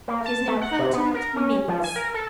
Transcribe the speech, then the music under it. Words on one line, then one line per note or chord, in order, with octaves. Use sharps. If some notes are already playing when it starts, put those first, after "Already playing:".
"She is an impertinent--minx!"
A#3
A5
A3
F#5
C3
B3
A#4
C#4
F3
G#5
A#4
A4